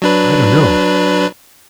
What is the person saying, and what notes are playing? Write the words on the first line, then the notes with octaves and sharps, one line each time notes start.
"I don't know."
F#3 D4 B4